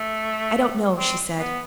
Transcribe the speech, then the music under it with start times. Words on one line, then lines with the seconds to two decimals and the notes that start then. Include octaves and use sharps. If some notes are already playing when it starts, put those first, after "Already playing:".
"I don't know," she said.
Already playing: A3
0.97 C4
1.40 B3